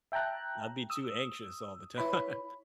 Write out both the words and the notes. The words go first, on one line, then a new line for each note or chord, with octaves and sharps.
I'd be too anxious all the time.
E5 G5 A5 A#5 F#6
D#6 E6
E4 B4 C#5 B5